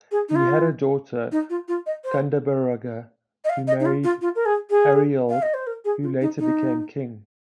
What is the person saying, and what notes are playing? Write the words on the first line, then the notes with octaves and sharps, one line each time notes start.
He had a daughter Gundeberga who married Arioald who later became king.
G#4
D#4
F4
D#4
F4
F4
D#5
C5
D#5
F5
D#5
D#4
F4
F4
F4
A#4
G#4
G#4
F5
D#5
C5
A#4
G#4
F4
D#4
D#4